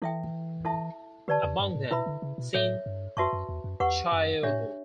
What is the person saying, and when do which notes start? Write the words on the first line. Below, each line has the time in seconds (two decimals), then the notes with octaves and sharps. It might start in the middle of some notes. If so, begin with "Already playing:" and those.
Among them, Sin Chaeho.
0.02 E3 E4 A4 E5 G5
0.65 E4 A4 E5 A5
1.28 D3 G4 B4 D5 A5
1.43 E2
1.59 G2
1.75 A2
1.91 B2 E4 B4 E5 B5
2.06 D3
2.22 C#3
2.38 B2
2.54 A2 A4 C#5 E5
2.86 G2
3.17 F#2 F#4 B4 E5 A5 C#6
3.33 F#2
3.49 E2
3.64 F#2
3.80 E2 G4 B4 F#5 C#6
4.12 F#2
4.43 A2 D4 G4 C#5 E5